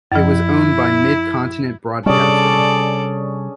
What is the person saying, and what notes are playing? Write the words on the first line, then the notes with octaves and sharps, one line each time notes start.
It was owned by Mid-Continent Broadcasting.
F#2 F3 E4
C3 G3 C#4 D4 G#4 A4 D5